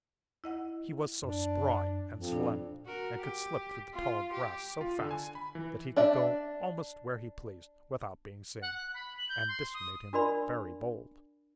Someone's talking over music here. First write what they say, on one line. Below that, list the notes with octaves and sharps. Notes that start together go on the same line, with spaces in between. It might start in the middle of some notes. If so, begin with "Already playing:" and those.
He was so spry and slim, and could slip through the tall grass so fast, that he could go almost where he pleased without being seen, and this made him very bold.
E4 D#5 F#5
F#2 D4
F2
A#2 D4 D5
F#4 A#4
G4
F4
G4
F4
D3
G#5
B5
E3
D4 D5 E5
F#5
F#6
B5
F#7
G6
C6
D#6
D4 F#4 A#4 D5 B5